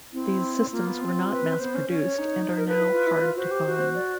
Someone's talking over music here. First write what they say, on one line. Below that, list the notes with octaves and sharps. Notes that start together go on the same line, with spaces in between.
These systems were not mass-produced and are now hard to find.
C4 E4
A#3 F4
B3
C4
B4
B3 C5
C#4
C#4 C#5
C#4
D#4
C5
A#4
B4
E4
F4
E4
F4
F#4 C5
G4
F#4
D5